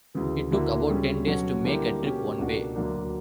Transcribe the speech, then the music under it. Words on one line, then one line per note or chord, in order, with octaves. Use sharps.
It took about ten days to make a trip one way.
D2 C#3 E3
D2 D3 A#3 E4
D2 C#3 G3 C#4
B2 F#3 C#4 F#4
D3 G3 A#3 E4 G4
B2 A#3 C#4 G4
C#2 B2 A#3 D4 F#4
D2 D3 F#3 A#3 D4